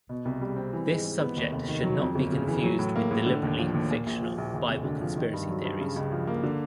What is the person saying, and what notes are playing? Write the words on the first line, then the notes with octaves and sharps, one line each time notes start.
This subject should not be confused with deliberately "fictional" Bible conspiracy theories.
B2
C2
G3
C4
E3
G#2
G#3
B3
D#2
F1
D#3
F#3
F2
G1
C#3
E3
F#3
A2
A#3
A2
D3
D#2
F3
D#2
A#2
A#1
F3
A#1
D#2
F1
D3
F3
D#3
G2
F#3
G2
C#3
C#2
F3
A#3
D3